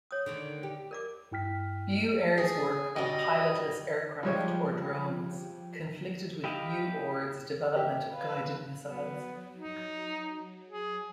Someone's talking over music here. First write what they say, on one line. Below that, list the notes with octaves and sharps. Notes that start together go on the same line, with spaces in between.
BuAer's work on "pilotless aircraft," or drones, conflicted with BuOrd's development of guided missiles.
C#5 D#6
D3 D#3 A3
G4
A#4 D5 D6
G2 E4 G5 F6 B6
G#4
F#2 G3 D#5
F3 G3 G#3 G4 C#5
E4 G4 D#5 F5
G4 E5
B4 F5
F#3 B3
D#4
G#4